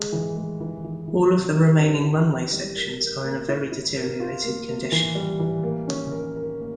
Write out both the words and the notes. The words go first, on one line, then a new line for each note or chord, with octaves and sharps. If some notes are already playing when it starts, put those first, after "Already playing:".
All of the remaining runway sections are in a very deteriorated condition.
Already playing: G#3
E3
G#3
E3
E3
E3
C3
G3
C#4
E4
E4
G3
A#4
A#4
A#3
E4
E4
A#4
F4
A#3
A#3
E3
G3
E3
A#3
C#4
A#4
A#4
A#3